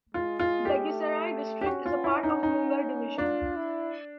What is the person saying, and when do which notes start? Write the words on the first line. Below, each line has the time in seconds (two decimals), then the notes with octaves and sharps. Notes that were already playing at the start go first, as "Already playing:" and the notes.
Begusarai district is a part of Munger division.
0.14 G#3 F4
0.40 F4
0.65 G4
0.90 A3
1.61 G4
1.66 C#4 F#4
1.86 F4
2.04 E4
2.23 D#4
2.43 D#4
3.18 D4 F4
3.57 E4